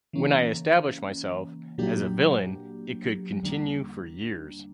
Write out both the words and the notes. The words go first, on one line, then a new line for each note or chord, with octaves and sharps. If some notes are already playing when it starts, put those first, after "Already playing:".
When I established myself as a villain it could continue for years.
C#3 E3 A#3 C#4
A#2 F#3 A#3 D4 G4
E2 D3 G3 A#3 D4